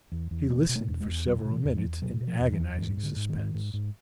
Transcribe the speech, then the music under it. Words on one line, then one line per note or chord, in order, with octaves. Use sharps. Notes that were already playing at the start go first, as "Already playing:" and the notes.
He listened for several minutes in agonizing suspense.
E2
E2
B2 A#3
B2
A3
E2
G#3
E2
B2 F#3
B2
E3
E2
F3
E2
B2 F#3
B2
F3
E2
E3
E2
G#2 E3
G#2
D3
G#2
D#3
G#2
G#2
G#2